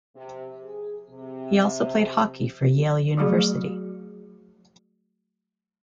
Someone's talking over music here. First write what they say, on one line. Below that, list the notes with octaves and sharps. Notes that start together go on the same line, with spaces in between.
He also played hockey for Yale University.
C3
G#4
C3
F#3 G3 A3 F#4 G#4